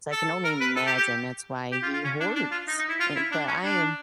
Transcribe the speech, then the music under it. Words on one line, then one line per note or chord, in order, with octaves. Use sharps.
So I can only imagine that's why he hoards. And but I am
A4
A#4
B4
A4
G4
G4
G4
F4
F4
C#4
D4
D4
F4
D#4
D#4
E4
F4
E4
D4
C#4
D4